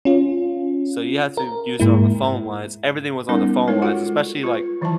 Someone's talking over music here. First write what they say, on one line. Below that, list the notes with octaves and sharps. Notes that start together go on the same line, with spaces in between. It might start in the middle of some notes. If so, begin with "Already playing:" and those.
So, you have to use it on the phone lines everything was on the phone lines, especially, like,
C#4 F4
A#4
G#2 G#3 A#3 E4
G3 B3 C#4 D#4 A#4
G#3 D#4 E4 A#4 B4 C#5
F4 F#4 A4 F#5
F4 B4
D#3 E3 F#3 E4 E5 A5